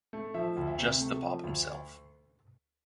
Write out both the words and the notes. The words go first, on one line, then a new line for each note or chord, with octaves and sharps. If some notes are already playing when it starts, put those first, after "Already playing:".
Just to pop himself.
A3
F3 E5
D2
E5
C3
A3
F3
D2